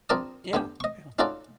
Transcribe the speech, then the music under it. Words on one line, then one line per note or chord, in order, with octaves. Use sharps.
Yeah. Yeah.
A#1 C4 A#4 D5 A5 D#6
D3 B3 G4
D#5 C#6
C#4 D#4 F4 F#4 A4 D5